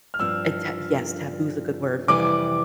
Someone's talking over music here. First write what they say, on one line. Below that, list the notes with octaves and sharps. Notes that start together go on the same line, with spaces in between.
Eh, ta Yes, taboo's good word for that,
F6
G2 F3 C4 E6
F2 C3 E3 G3 D6